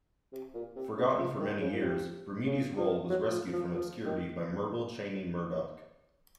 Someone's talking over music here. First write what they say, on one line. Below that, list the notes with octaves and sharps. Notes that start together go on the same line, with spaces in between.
Forgotten for many years, Brumidi's role was rescued from obscurity by Myrtle Cheney Murdock.
C3
A#2
C3
C#3
F3
D#3
C#3
A#2
C3
C#3
F3
F#3
F3
F3
F3
D#3